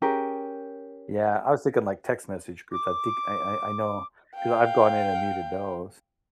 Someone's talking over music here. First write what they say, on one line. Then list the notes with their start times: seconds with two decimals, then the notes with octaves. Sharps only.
Yeah. I was thinking, like, text message groups. I think I I I know 'cause I've gone in and muted those.
0.02 C#4 G4 G#4 A#4
2.72 D6
4.36 F5 G5